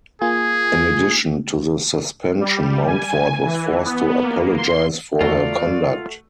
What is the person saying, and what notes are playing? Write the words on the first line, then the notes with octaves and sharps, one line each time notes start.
In addition to the suspension Mountford was forced to apologise for her conduct.
A#3 F4 G#4 G#5
G3
G#5
E3
B3
A#3
C6
E2 A3 F4 F#4 D5 A#5